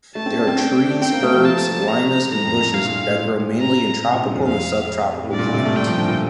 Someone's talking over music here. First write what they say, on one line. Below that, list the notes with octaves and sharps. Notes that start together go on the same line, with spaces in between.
They are trees, herbs, lianas and bushes that grow mainly in tropical and subtropical climates.
A3 A5
C4
D4
C4
C4 G5
D4
C4 G5
A#3
A3
F3
A5
A#5
A2 A#5
F2
F2
G2 F5
A2
A#2
A2
A2
A#5
C3
A#2
G2
F2
F5
A2
G2 D5
A#2
A2
C3
A3
G3 G5
F3
D3
A#2